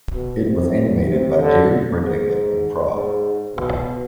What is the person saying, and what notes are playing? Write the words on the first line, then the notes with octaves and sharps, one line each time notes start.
It was animated by Jiri Brdecka in Prague.
B2
C3
C3
D3
G#2
G#2
B2